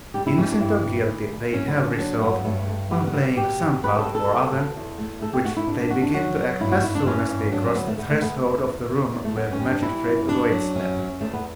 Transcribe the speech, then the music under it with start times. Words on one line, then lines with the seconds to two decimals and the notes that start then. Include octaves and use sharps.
Innocent or guilty, they have resolved, on playing some part or other, which they begin to act as soon as they cross the threshold of the room where the magistrate awaits them.
0.14 G3 G4
0.26 E4
0.38 E3 C#4
0.49 D4
0.60 G2 E4
0.83 G2
1.07 D2
1.30 A3
1.53 F#3 C#4
1.67 B3
1.76 D3
1.84 C#4
1.98 F#3 D4
2.21 G2 B3
2.45 G2 A3
2.68 A3
2.91 G3 B3
3.07 B3
3.14 B2
3.37 B2 G4
3.60 B2
3.84 G3 B4
3.98 A4
4.06 B2
4.15 A4
4.29 G3
4.52 B2
4.76 E2
4.98 A3
5.21 A3 A4
5.33 G4
5.44 A3 F#4
5.56 E4
5.67 B2 D4
5.80 D4
5.90 E2 F#4
6.02 D4
6.14 F#3 F#4
6.36 F#3
6.60 G2 E4
6.72 F#4
6.83 G2 E4
6.95 D4
7.06 E3 C#4
7.29 G2
7.52 F#3 D4
7.64 C#4
7.75 D2 B3
7.87 A3
7.98 A3 B3
8.11 A3
8.21 A3 B3
8.45 E2
8.67 E2
8.91 E2
9.13 E2
9.25 A3
9.36 F#2 B3
9.53 C#4
9.59 G3
9.68 D4
9.82 E3 E4
10.06 F#2
10.28 F#2 D4
10.52 F#3
10.76 F#2 C#4
10.98 F#2
11.21 E2 A3
11.33 B3